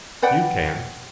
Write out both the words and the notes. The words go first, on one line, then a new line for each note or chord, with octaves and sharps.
You can.
B4 D5 F#5 G5